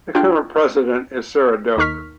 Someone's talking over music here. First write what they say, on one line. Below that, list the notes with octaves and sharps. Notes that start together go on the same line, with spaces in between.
The current president is Sara Doke.
D4 F4 G5
D#2 D#4 A#4 C#6 F6 B6